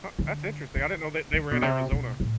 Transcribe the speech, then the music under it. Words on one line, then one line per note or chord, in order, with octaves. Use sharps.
Huh, that's interesting. I didn't know that they were in Arizona.
D3
D3
D3
B2
C3
B2
A2